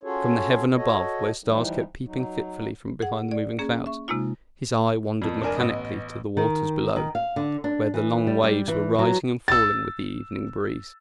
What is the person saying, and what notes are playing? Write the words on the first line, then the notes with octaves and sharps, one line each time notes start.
From the heaven above, where stars kept peeping fitfully from behind the moving clouds, his eye wandered mechanically to the waters below, where the long waves were rising and falling with the evening breeze.
C#4 F4 F#4 G#4 A4 C#5
F#4 A4 C#5 D#5
E3 F3 G3 D#4
F#3 D#4
G#4 F#5
D5
A#3 C#4 G#4
E5 C#6
C3 G#3 A#3 D#4 F4
F2 A#2
F1 D4 A#4 G#5
A1 B3 D#5
D#3
D#3
F5
D3
D4
E3
G3
G3
E3
F#3
E6 A6